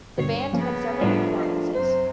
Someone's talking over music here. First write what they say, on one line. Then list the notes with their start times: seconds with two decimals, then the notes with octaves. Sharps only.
The band had several performances.
0.18 G2 B2 D3 C#5 C7
0.53 C#3 F3 A#3 B3 C#4
1.01 A2 F3 G3 A3 D4
1.40 D#5 C7
1.75 F#2 C3 C5